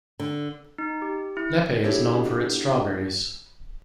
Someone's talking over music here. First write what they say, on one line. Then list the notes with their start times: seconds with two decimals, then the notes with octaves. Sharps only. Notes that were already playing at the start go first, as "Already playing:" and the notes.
Lepe is known for its strawberries.
0.20 D3
0.78 D#4
1.02 G4
1.37 E4
1.83 B3 D4 E4 G4 A4 C#5